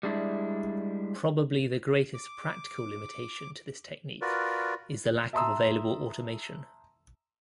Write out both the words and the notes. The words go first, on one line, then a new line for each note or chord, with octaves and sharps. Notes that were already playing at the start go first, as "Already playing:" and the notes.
Probably the greatest practical limitation to this technique is the lack of available automation.
G3 G#3 D4 E4
D6
F4 F#4 A#4 B4 D5
E5 A5 A#5 C6 D#6 E6